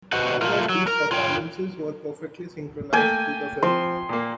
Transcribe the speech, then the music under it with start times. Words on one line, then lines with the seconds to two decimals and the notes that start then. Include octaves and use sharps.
All of these performances were perfectly synchronized to the film.
0.12 F#4 G4 B4 C5 D#5 F#5
0.42 A3 F4 A#4
0.69 F#3
0.87 A#4
1.12 F4 C#5 G5
2.93 A3 A#3 G5 G#5
3.63 F3 C4 C6
4.09 A#2 A#3